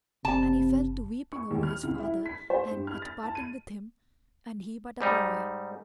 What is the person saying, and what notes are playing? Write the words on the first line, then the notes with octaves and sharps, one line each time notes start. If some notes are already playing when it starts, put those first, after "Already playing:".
And he fell to weeping over his father and at parting with him, and he but a boy.
F#1 C3 A5
C#6
D#2
F6
C#2
E4
B6
C5
G2
F6
A6
A5
D#7
G#2 G3 D#4